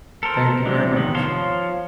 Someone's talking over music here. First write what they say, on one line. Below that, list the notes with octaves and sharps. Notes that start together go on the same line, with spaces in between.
Thank you very much.
A4 A#4 C5
E3 F#3 G#3 D4
D#3 B3
F3 C#5 F5 A5 C6